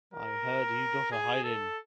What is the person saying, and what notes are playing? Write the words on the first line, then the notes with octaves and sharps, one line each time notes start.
I heard you got a hiding.
A#4
G#4
A4